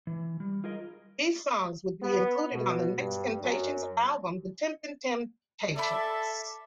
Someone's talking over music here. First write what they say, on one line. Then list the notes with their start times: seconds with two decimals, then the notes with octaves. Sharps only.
These songs would be included on the next Temptations album, "The Temptin' Temptations".
0.07 E3
0.40 G3
0.64 F4 G#4 A#4 D#5
2.03 B3
2.52 B2
2.99 G2
3.41 F#2
5.76 A4 D5 E5 B5